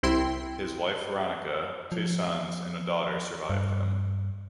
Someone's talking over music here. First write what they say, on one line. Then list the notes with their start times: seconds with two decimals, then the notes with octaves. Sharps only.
His wife Veronica, two sons, and a daughter survived him.
0.03 C2 C4 E4 G5 C6
1.92 F3
3.50 G2